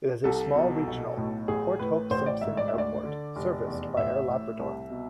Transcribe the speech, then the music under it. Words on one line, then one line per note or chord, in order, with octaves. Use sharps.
It has a small regional Port Hope Simpson Airport serviced by Air Labrador.
C2 A4
B2
B1
A2
A1 G#4
A2 B4
A1 C5
D5
G#2 E5
D5
E5
D2
D5
D3
F1
E2
A1 E5
A2
C2
B2